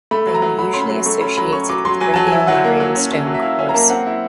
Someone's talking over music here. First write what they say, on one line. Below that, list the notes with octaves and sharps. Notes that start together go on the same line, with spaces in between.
They are usually associated with radiolarian stone cores.
A3 B5
F#3
A#5
F#3
F#3 B5
C#4 C6
B5
F#3
A3 C#6
C#4 B5
F#3 B5
C#4 C#6
F#3 D6
F#3 C6
F#3 G#5
F#3 A5
G#5
E4
F#3 F#5
A#3
F#3
C#4
C#4
F#3
E5
E4 F5
C#4 G#5
A#5
A#3 A5
C4 F#5
E4